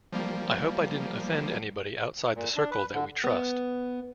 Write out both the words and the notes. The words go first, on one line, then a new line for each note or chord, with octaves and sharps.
I hope I didn't offend anybody outside the circle that we trust.
F3 G3 A#3
A#2
D4
B4
D3
B3